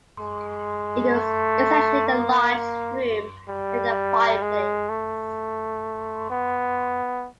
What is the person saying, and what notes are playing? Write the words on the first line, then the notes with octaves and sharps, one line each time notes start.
It was essentially a large room with a fireplace.
G#3
A3
A#3
G3
G#3
A3
B3